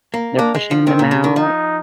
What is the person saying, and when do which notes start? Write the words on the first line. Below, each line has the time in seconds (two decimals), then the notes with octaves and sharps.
They're pushing them out.
0.14 A#3
0.38 A#3 D4
0.55 G#3
0.71 F3
0.87 D#3 C4
0.99 A#2
1.11 C3
1.24 D#3
1.36 F3 D#4